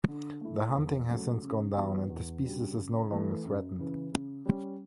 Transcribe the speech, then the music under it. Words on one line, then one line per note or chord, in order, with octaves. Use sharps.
The hunting has since gone down and the species is no longer threatened.
D3
A3 E4
E2
C#3 F#3 A3
C#3
E3 G3 B3 F#4
E2
C#3 G3 D4 F#4
C#3
E3 A3
F#2
C#3 E3
C#3
G3 C#4